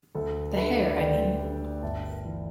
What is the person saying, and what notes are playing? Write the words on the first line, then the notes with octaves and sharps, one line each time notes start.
The hair, I mean.
D2 A4
D3 G3 B4 E5
B4
D5
E5
D2 D5 G5
D3 G3
G1 E5 A5
E3